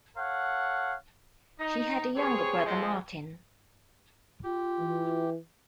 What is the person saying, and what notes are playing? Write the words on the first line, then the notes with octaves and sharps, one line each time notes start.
She had a younger brother, Martin.
A4 C#5 F5 F#5
D#4
C3 B3 G#4 C5 C#5
F3 G#3 C4
F4 G4
E3